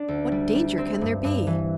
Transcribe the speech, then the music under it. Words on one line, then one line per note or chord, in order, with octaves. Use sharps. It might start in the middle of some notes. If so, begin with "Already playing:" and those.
"What danger can there be?"
Already playing: D4
D2
G3
G3
C4
G2
G2
E3